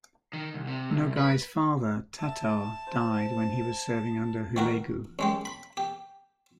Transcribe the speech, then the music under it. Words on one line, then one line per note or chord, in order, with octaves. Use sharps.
Nogai's father Tatar died when he was serving under Hulegu.
D#3
C2
C3
C2
B4
E5 A5
C5
D#3 F#4 A#4
F#2 G#3 G4
B5
G4